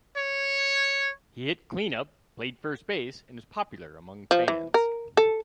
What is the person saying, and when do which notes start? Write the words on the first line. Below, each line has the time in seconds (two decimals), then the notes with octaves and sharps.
He hit cleanup, played first base and was popular among fans.
0.16 C#5
4.31 F3
4.48 E3
4.74 A#4
5.17 A4